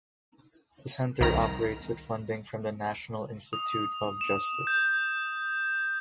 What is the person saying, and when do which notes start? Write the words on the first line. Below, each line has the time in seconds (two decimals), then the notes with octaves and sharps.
The center operates with funding from the National Institute of Justice.
1.20 C2 D#3 A#5
3.53 D#6
4.21 E7
4.67 G6